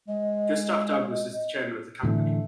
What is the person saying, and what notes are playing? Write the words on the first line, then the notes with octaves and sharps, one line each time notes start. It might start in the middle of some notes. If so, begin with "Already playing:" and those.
Gustaf Douglas is the chairman of the company.
G#3 D#5
A2 D3 E3 A3